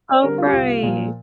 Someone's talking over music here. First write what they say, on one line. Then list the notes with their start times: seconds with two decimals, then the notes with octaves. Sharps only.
Oh, right.
0.09 D5
0.23 D3 G3 C4 A#4
0.38 F4
0.46 G4
0.52 C2 F4
0.83 A#2 F3